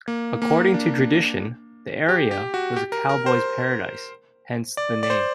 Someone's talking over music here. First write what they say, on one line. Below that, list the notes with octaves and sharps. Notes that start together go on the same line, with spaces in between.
According to tradition, the area was a cowboy's "paradise", hence the name.
A#3
A#3
D4
G4
G4
F#4
G4
A#4
A#4
C5
D5
D5
C5